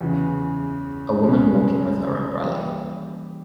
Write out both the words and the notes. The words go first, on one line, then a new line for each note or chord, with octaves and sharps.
A woman walking with her umbrella.
E2 C#3 E3
C#3 F3 G#3 C#4
E3 G3 A#3 E4 G4